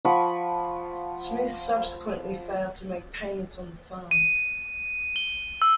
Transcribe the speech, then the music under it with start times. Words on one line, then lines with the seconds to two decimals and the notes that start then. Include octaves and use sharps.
Smith subsequently failed to make payments on the farm.
0.05 F3 F#5 B5 C#6
4.11 D#7
5.16 G7
5.62 E6